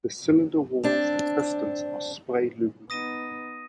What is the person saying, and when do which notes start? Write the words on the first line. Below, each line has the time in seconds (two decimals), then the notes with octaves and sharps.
The cylinder walls and pistons are spray lubricated.
0.83 C4 D4
2.90 B3 D#4 D#6 A#6 D#7